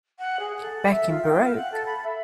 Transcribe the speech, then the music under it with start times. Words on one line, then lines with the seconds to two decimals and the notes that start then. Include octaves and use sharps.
Back in Baroque...
0.19 F#5
0.40 G#4
0.61 A4
0.90 E5
1.09 F4
1.23 G5
1.43 F5
1.56 F#5
1.72 A4
1.86 B5
2.04 E5